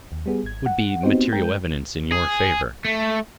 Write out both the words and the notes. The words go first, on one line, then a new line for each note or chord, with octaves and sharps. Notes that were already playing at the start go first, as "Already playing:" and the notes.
It would be material evidence in your favor.
D#2
G3 B3 G#4
G#1 G#6
F#5
B3 C4 D#4 F#4 G4 C5
G#3 A#4 G5 G6
G#4
A3